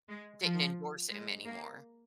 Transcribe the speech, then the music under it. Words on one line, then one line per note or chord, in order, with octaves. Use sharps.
Didn't endorse him anymore.
G#3
F3
G#3
A#3